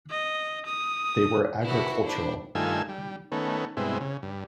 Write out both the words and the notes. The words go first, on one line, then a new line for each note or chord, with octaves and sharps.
They were agricultural.
D#5
D#6
B3 E4 F#4 A4
D4 E4 C5
G2 D#3 A3 F4 G#5 E6
G3
D#3 A3 B3 C#4
G2 B2 G#3 C4 E4
C#3
G2